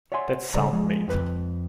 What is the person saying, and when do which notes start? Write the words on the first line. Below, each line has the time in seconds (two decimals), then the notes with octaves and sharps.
That's sound mate.
0.12 C#5 D5 E5 F#5 G#5 C6
0.54 C#3 G3 A4 C5 D5 A#5
0.73 F3 G#3
1.08 F2 B4